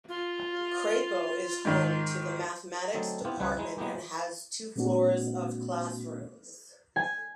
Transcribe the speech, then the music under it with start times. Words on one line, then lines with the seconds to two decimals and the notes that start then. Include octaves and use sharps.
Crapo is home to the Mathematics Department and has two floors of classrooms.
0.09 F4
1.65 G#2 D#3
2.94 D3 F#3 A3 C4 D#4 A4
3.25 B3 C4 E4 F4 G4
3.39 C#2 G3 G#3 B4 C#5 E5
3.57 G#3 D#4 E4
3.78 F#3 G#3 A#3 B3 E4 G4
4.76 A#2 G#3 A#3 C4 D4 F#4
6.96 G#5